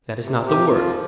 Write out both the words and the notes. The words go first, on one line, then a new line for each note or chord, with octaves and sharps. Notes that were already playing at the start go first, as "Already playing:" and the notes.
That is not the word.
C3
F2 G4
F3 F4